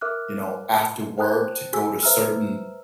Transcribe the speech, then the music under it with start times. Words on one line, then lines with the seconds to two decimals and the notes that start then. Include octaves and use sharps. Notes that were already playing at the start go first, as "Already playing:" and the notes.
you know, after work to go to certain
0.01 A#4 E5 D6 F6 F#6
1.18 C5 G5 A5 D#6 F#6
1.73 F#4 G#4 G#5 E6
2.03 B4 C5 E5 A#5 E6 F6